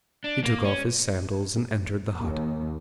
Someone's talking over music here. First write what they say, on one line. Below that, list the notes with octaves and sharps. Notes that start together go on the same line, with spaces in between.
He took off his sandals and entered the hut.
D4
A#3
C#4
D#2